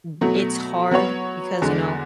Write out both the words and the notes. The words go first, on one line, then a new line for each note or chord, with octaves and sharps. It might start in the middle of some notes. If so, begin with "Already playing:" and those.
mm, it's hard because, you know,
B2 F#3 A3
F#3 B3 F#4 C#5
E2 D3 G#3